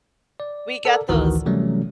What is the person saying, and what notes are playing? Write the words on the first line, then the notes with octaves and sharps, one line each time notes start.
we got those
D5
A4 A#4 D5
A1 D2 D#3 E3 F#4 A#4
C3 E3 F#3 G3 A3 C#4